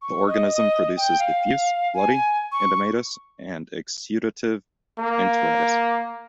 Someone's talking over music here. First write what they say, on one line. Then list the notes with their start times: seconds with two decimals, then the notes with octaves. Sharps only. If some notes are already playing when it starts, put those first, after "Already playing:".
The organism produces diffuse, bloody, edematous, and exudative enteritis.
0.02 C#6
0.27 D#5
0.52 D#5
0.97 G5
1.19 F5
1.94 G#5
2.52 C#6
4.99 A#3